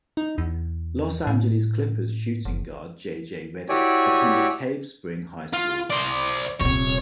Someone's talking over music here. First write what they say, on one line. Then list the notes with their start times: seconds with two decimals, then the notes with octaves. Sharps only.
Los Angeles Clippers shooting guard J. J. Redick attended Cave Spring High School.
0.17 D#4
0.38 E2
1.27 A2
2.45 F#1
3.69 E4 F#4 G4 C#5 D5 G#5
5.53 F4
5.91 C5 D5
6.61 D#1 C3 C#5